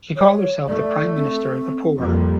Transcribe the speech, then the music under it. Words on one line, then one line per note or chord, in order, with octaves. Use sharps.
She called herself 'The Prime Minister of the Poor'.
C#5
A3 D5
C4
F2 G3 A#3